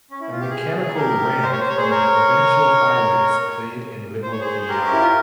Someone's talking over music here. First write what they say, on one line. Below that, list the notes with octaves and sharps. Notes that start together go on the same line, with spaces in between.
A mechanical ram from the Provincial Highways cleared and leveled the yard.
C#4
E4
F4
G4
G#4
G4 A#4
C5
C#5
C5
C#5
G#4 C5
A#4 C#5
C5
C#5
G#4 C5
G4 A#4
C#4
E4
F4